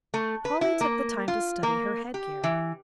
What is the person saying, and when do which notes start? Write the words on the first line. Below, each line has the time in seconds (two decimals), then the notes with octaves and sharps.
Polly took the time to study her headgear.
0.14 A3
0.45 B4
0.61 E4
0.81 A#3
1.28 F4
1.63 A#3
2.14 G4
2.44 E3